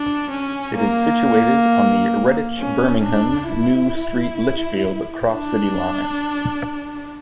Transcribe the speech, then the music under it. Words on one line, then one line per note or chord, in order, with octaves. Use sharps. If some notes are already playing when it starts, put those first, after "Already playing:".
It is situated on the Redditch-Birmingham New Street-Lichfield Cross-City Line.
Already playing: D4
C#4
A#3
C#4
D4
E4
D4